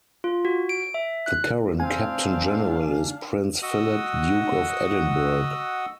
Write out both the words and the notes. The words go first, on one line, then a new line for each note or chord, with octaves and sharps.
The current Captain-General is Prince Philip, Duke of Edinburgh.
F4
F#4
D7
E5
F#6
C4 D4 F5 G#5
F#4 D#5 F#5 D#6 E6